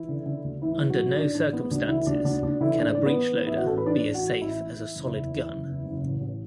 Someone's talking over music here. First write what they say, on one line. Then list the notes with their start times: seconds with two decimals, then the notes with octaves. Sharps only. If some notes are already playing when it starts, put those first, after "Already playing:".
Under no circumstances can a breech-loader be as safe as a solid gun.
Already playing: E3 E4
0.09 D3
0.26 D3
0.44 D2
0.62 A2 E3 E4
0.81 A2
0.89 F#3 F#4
0.99 A1
1.17 E3 D4
1.35 A1 D4
1.52 E3 B3
1.71 D2 D4
1.88 D3 E3 E4
2.06 D2 D4
2.24 D2 D4
2.43 D2 D4
2.61 D3 E3 E4
2.78 A1 D4
2.95 A2 D5
3.06 B3 B4
3.15 E3
3.33 A2
3.47 A1 E4
3.57 F#4
3.67 A1 A4
3.77 B4
3.86 E3 D4 D5
4.04 A1
4.14 F#4 F#5
4.23 E3
4.41 A1 E4 E5
4.60 A2
4.77 E3
4.96 F#1
5.13 E2
5.31 E3
5.49 F#1
5.68 E2
5.85 F#1
6.03 A1
6.21 A1